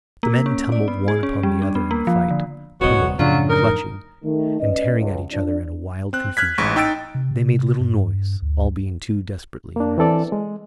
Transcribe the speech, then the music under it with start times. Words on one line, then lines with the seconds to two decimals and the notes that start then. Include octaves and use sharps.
The men tumbled one upon the other in the fight, pummelling, clutching, and tearing at each other in a wild confusion. They made little noise, all being too desperately in earnest.
0.23 A#3
0.46 C#4
0.72 D5
0.88 B3
1.08 G#4
1.23 C#4
1.43 G3
1.62 D4
1.75 B3
1.91 A#3
2.07 F3
2.30 D3
2.81 D#1 C2 B3 C4 F#4 C#5 D#5
3.19 F#2 A2 C#3 F3 F#3 D4 F4
3.49 D#4 A#4
4.24 D#3 A3
4.60 C#4 B4 D5 D#5
4.98 C#2
5.32 F3 D4
6.13 C4 F#6
6.37 F6 F#6 G#6 B6
6.58 A1 G#2 C#6 B6
6.76 D#4 G5 E6 A6 D7
7.15 C3
7.31 C3
7.80 G2
8.42 D2
9.76 A#3 D4
9.98 E3 C4 A4 D5
10.32 G#3